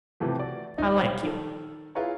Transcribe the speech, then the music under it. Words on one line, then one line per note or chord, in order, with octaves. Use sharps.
I like you.
C3 E3 F3 A3 G4
F#4 D5
D#1 D#4 C#5 D#5 E5
C5 C#5 F5 G5 F6
D#3 A4
E4 F4 G#4 B4 C#5 A#5